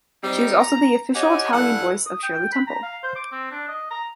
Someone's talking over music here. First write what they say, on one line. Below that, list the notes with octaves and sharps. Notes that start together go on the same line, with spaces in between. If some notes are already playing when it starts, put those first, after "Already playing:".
She was also the official Italian voice of Shirley Temple.
G3 C4 D#4
A#5
G4 C#5 D#5 F#5 G#5
G2 E3 A4 F#5
D#6
G5
B5
A#5
F5
C5
D6
C4
D4
D#5
A#5